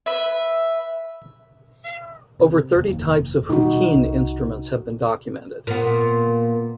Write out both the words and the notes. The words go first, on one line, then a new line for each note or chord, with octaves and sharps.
Over thirty types of "huqin" instruments have been documented.
B4 E5
C3
F1 D#2
B2 D#3 G3 D#4 F#4
C2
A#2 B3